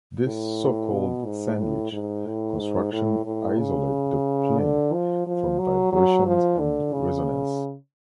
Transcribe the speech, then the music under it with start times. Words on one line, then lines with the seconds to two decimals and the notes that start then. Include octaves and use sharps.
This so-called 'sandwich' construction isolate the plinth from vibrations and resonance.
0.26 A2
0.93 B2
1.26 G#2
1.60 A2
1.93 G#2
2.26 A2
2.59 G#2
2.92 A2
3.26 A2
3.59 C#3
4.59 D3
4.93 F3
5.27 F3
5.59 F#3
5.92 F#3
6.26 F3
6.59 D3
6.93 C#3